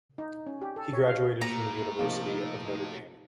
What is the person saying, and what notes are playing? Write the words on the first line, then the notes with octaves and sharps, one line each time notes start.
He graduated from the University of Notre Dame.
D#4
C#4
G4
A4
C#5
F5
A2 A#3 A#5
C3 F3 A#3 D#4